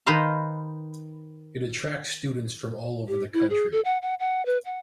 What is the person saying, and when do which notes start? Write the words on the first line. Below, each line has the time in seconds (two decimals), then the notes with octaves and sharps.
It attracts students from all over the country.
0.06 D#3 B4 C5 D#5 F5 A#5
3.08 G4
3.33 E4
3.50 G#4
3.72 A4
3.85 F#5
4.02 F#5
4.20 F#5
4.46 B4
4.65 F#5